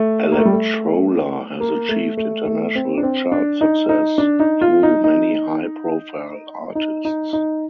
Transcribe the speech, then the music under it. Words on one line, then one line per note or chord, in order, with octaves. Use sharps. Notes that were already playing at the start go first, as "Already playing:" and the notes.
Electrola has achieved international chart success through many high-profile artists.
Already playing: A3
A#3
A3
G3
A3
A#3
A3
A3
A3
C4
D4
C4
D4
D#4
D#4
D4
D#4
F4
D#4
D#4
D#4
D#4
D#4